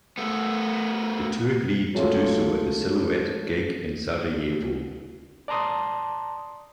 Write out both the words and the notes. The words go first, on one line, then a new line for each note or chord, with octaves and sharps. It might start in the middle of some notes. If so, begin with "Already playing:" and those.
The two agreed to do so at the Siluete gig in Sarajevo.
A3 B3
F#3 G#3 A3 C#4 F4
D5 A5 A#5 C6 D#6